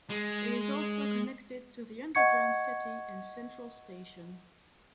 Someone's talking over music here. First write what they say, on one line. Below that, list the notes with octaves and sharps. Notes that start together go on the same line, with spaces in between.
It is also connected to the underground city and Central Station.
G#3
D#5 F#5 C#6 G#6 C#7